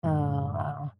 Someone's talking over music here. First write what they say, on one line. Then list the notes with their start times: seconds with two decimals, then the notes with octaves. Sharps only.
Oh, wow.
0.04 F#2 A2 G#3